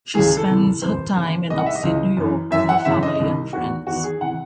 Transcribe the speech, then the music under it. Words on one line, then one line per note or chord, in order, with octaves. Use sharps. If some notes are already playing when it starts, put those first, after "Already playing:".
She spends her time in upstate New York with her family and friends.
C#2 C#3 E3 G#4
G#4
A4
C2 C3 E3
C2 C3 E3 C5
D#2 C#3 E3
C2 C3 D#3 D#5
F#5
E5
D#5
C#2 C#3 E3
F#2 E3
F#2 E3 E5
F#5
F#2 C#3 E3 E5
D#5
C2 C3 D#3
E2 D#3 F#4
E2 D#3 F#4
G#4
C3 E3 F#5